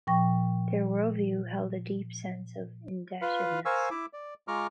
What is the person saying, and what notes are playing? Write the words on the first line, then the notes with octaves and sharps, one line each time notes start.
Their worldview held a deep sense of indebtedness.
A#2 F3 G5 C#6 A#6
F4 B4 F5
A#4 C5 F5 G#5 C#6 E6
E4 E5 D6
D5
G#3 F4 A#5 C#6 D6 F6